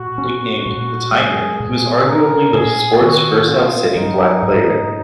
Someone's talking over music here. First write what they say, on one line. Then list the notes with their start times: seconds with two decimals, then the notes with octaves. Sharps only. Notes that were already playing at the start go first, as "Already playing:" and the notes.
Nicknamed "The Tiger", he was arguably the sport's first outstanding black player.
Already playing: A#2 F#4
0.18 C#4
0.66 A#2
1.12 G#3 G#4
1.59 A#2 G#4
2.06 C#4 A#4
2.54 A#2 G#4
3.01 D#3 F#4
3.48 C#4 F4
3.95 F#3 D#4
4.43 G#2